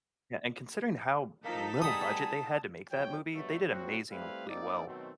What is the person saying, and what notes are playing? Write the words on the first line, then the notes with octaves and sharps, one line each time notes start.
Yeah, and considering how little budget they had to make that movie, they did amazingly well.
F3 A#3 D#4 A4 A#5 B6
G3 B3 G#4 A5 D#6
F2 F#3 C#5 G5
G2 B2 F#3 A3
A#2 F#3 C4 F#4
G3 A3 C4 E4 B4 F5
A#3 C4 D#4 A4 D5
B2 D#3 F#3 A3 C4